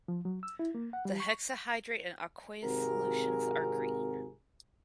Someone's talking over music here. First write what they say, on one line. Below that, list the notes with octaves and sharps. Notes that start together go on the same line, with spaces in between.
The hexahydrate and aqueous solutions are green.
F3
F#3
E6
E4
A#3
F#5
G3
C#6
G#1 C3 F#4 G#4 A#4